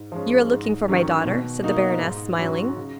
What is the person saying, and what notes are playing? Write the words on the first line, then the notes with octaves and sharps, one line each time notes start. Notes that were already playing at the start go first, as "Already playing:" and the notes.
"You are looking for my daughter?" said the baroness, smiling.
Already playing: G#2
F3 G#3 C#4
G#2
D#3 F#3 C#4
B2
A#3 D#4 F#4
G#2
F#3 C#4 F#4
C#3